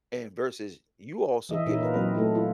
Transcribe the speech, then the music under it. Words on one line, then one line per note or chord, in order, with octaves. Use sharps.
and versus you also getting older
E3 D#5 E5
A#2 C#4 D#4 E4 A#4
F4 A#4 B4
F#3 C4 D#5
A3 E4 A4
E4 F4